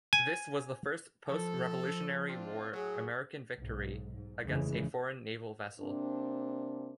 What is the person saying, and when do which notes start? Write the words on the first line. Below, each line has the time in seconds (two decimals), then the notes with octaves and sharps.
This was the first post-Revolutionary War American victory against a foreign naval vessel.
0.13 G#5
1.28 F3 A4
2.28 C4 D4 F4
2.72 A2 F#3 G#4
3.57 B1 G#2
4.14 G#2
4.45 F1 D#2 C#3 E3 G#3
5.80 C3 A#3 C4 D4